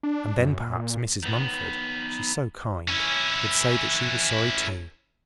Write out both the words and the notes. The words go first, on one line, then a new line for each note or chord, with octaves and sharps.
And then perhaps Mrs. Mumford--she's so kind--would say that she was sorry too.
D4
F#2
A#2
D#3 B3
C#4 E4